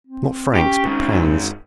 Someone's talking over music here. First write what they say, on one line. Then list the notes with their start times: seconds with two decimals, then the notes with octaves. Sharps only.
Not francs, but pounds!
0.07 C4
0.55 C#4 G4
0.85 G#2 D#3
1.22 F#2